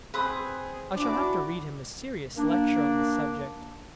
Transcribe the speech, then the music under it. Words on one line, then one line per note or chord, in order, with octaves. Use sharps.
I shall have to read him a serious lecture on the subject.
C4 G#4 B4 C6 D#6
E3 D4 F#4 D6
A#3 D4